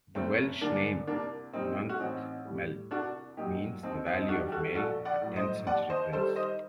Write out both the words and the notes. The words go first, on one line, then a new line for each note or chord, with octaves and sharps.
The Welsh name, Nantmel, means 'the valley of Mael', a tenth-century prince.
F#1 A3 C4
F#2 D3 A#3 D4
C2 A#3 D4
A#2 G3 C4 D#4
F#4
A1 C4 D#4
A2 G3
C2 D4 F#4
A#2 F#3 D#4 G4
D#2 C4 D#4
C4 D#4
D#4
D#3 G3 D4 F#4
G4
F#4 A4
A#1 F#4 A4
D5 F#5
A2 F#3
C5 D#5
D#2 D5 F#5
C5 D#5
D#3 G3 A4 C5
C5 D#5